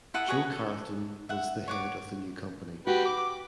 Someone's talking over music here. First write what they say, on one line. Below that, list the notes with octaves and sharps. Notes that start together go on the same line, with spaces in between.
Joe Carlton was the head of the new company.
E4 A4 F#5 D#6
F#4 G#4 B4 C#5
A4
E5 F#5
C#5 F#5 D6
F#4 G4 B4
D6